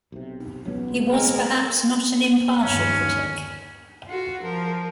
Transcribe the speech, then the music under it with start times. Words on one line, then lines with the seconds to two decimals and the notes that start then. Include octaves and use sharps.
He was perhaps not an impartial critic.
0.12 B1 C3
0.65 E1 C#2 F#3 B3 C#4
1.09 G#3 A3 C4 A#4
2.63 G1 D#2 C#4
4.07 F4 F#4
4.43 F3 A#4